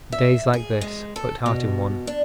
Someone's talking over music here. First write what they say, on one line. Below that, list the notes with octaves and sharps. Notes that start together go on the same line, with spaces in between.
Days like this put heart in one.
E5
G#4
G#3
A4
B2
D4